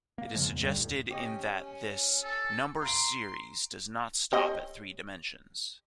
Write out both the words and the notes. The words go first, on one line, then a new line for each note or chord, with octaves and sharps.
It is suggested in that this number series does not stop at three dimensions.
A#3
G2 C#3 F3 G#3
E2
G2 D3 G3
D#2 A2
C#4 G4 D#5
G#5
A4
A#5 C6 D7
G4 C#5 D#5